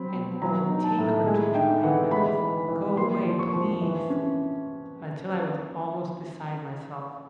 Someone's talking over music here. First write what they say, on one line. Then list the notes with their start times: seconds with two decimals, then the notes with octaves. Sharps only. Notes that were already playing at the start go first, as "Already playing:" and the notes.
And oh, take her to Julia Mills, and go away, please! until I was almost beside myself.
Already playing: F#3 C4 B5
0.13 B2
0.42 F#3 A#5
0.70 D#4
0.84 A5
0.99 A2
1.26 G#3 G#5
1.55 D#4 G5
1.83 E3 F#5
2.11 G#3 B5
2.40 E3
2.69 E3
2.97 A#3 C6
3.25 F3
3.39 C#6
3.53 F3
3.82 E3
4.10 C#4